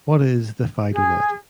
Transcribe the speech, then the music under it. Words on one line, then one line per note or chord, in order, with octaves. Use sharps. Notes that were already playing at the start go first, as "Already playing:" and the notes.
What is the "FidoNet"?
G#4